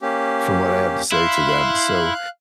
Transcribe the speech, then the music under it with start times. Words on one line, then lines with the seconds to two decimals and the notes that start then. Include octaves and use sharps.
from what I have to say to them.” So,
0.01 A#3 C#4 G4
1.12 E4 F5 C6 F#6